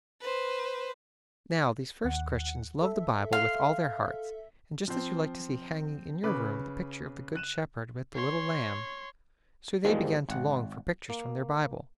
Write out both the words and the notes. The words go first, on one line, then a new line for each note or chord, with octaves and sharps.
Now, these first Christians loved the Bible with all their hearts, and just as you like to see hanging in your room the picture of the Good Shepherd with the little lamb, so they began to long for pictures from their Bible.
B4 C5
D#2 F#5
A4 E5
F5 C6
F3 C4
C#3 B4 D6
F#6 D#7 E7
C#5 C6
E2 G#2 D#3 F3 G3 G#3
G#1 F#5
A#3